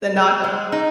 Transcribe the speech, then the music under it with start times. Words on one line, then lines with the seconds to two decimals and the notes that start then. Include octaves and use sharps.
the knob do
0.16 G#3
0.44 G#3
0.72 D#4